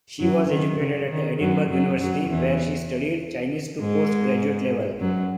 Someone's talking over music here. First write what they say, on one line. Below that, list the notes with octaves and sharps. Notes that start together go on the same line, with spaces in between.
She was educated at Edinburgh University where she studied Chinese to post-graduate level.
F#2 F#3
D#3
C#3
D#3
F#2 F#3
F#2 F#3
F#2 F#3
E2 E3
G#2 G#3
F#2 F#3